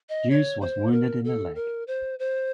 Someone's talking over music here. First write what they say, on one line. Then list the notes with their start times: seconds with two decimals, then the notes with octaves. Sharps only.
Hughes was wounded in the leg.
0.09 D#5
0.30 C#5
0.61 C5
0.92 A#4
1.24 A4
1.55 A#4
1.87 C5
2.19 C5